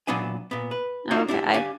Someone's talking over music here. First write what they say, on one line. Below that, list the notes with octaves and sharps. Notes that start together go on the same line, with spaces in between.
Okay. I
A#2 F#3 B3 D4 G#5
A#2 B3
B4
D4 D#4 F4 F#4 C#5
D4 E4 G4
D4 G4 F5 G#5